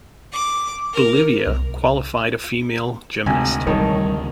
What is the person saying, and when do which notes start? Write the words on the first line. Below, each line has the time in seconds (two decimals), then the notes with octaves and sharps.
Bolivia qualified a female gymnast.
0.33 D6
0.94 A#4
1.46 C2
3.26 G#1 D2 C3 G#3 G#5
3.67 D#3 G3 C#5 A5